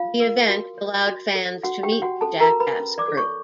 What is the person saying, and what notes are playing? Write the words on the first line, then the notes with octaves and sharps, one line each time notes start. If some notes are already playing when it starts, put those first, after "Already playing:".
The event allowed fans to meet the "Jackass" crew.
Already playing: F4 F5
A#4
F#4
C#5
F#4
A4
F#4 F#5
G4 G5
C#5
F#4 F#5
C#4 A4 A5
A#4 A#5
F#4
B4 B5
C#4
D5 D6
A4
C#5 C#6